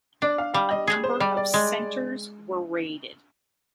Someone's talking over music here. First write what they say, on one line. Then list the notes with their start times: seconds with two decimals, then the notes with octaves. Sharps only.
A number of centers were raided.
0.22 D4 D5
0.38 F5
0.54 G3 F5
0.71 D#5
0.87 G#4
1.04 C5
1.20 G3 D5
1.37 D5
1.54 G#3